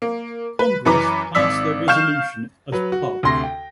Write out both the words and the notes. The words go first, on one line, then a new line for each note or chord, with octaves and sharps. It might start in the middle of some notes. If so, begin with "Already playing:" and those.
Congress passed their resolution as Pub.
A#3
B4
F#2 E3 B4 A#5 D6
G#1 D5 D6 E6 B6
F5 C#6 F6 G6 E7
F#3 B4
F#4
D2 C3 C6 A#6
G5